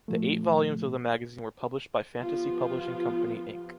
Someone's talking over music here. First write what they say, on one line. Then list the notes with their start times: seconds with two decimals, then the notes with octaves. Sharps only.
The eight volumes of the magazine were published by Fantasy Publishing Company, Inc.
0.08 A#2 F3 A3
2.19 F3 B3 F4 G4